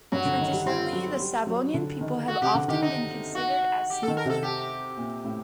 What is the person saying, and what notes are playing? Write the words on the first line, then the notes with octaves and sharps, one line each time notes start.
Traditionally, the Savonian people have often been considered as "sneaky".
G2 F#3
D3
D#3
G3
G3 C4
F#3
G3
F#3
D3
D#3
F#4
C3 G4
D3
D#3 G4
D#4
F#4
G4
D#3 A4
A#4
C3 A4
G4
A#2
A2